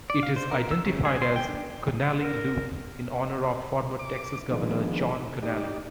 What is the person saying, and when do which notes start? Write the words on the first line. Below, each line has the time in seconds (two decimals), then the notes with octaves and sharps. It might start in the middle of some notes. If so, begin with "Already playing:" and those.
It is identified as Connally Loop in honor of former Texas governor John Connally.
0.10 D5
0.23 F5
0.36 C5
0.51 A#4
0.71 E6
0.86 C#3
1.05 G#4
1.22 C6
1.36 G5
1.49 D4
2.22 A#4
3.99 D6
4.51 D#3 F3 G#3 B3 D4
5.43 D#4 G4 D5